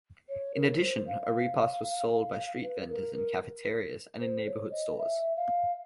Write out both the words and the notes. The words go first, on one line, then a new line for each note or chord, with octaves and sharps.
In addition, arepas are sold by street vendors, in cafeterias, and in neighborhood stores.
C#5
A#4
C5
F5
B4
A#4
A#4
C5
C#5
D#5
E5
F5